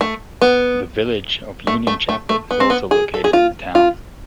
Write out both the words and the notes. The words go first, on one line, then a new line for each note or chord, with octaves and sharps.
The village of Union Chapel is also located in the town.
A3
B3
A3
A3
A3
A3
B3
C4
B3
G#4
A4
G#4
F4
F4